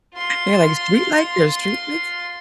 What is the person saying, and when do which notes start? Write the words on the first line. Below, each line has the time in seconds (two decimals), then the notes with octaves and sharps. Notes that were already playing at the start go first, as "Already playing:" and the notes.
They're like "Street lights? There's street lights?"
0.15 F4 C6